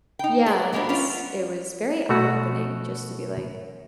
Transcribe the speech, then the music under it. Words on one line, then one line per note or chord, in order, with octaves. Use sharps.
Yeah, and it's it was very eye-opening just to be like,
D#4 G5
G#4 D5
G3 G#3 A#3 B3 D4
B3 C#4 D4 F4
B2 A3 F#4